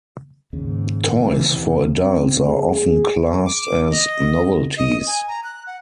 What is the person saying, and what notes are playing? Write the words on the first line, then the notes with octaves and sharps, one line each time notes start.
Toys for adults are often classed as novelties.
D#2 G#2 C#3
C3 E3
C4
G#4
G#4
D6
D#5
D#5
G#5
A#5
F#6
F#5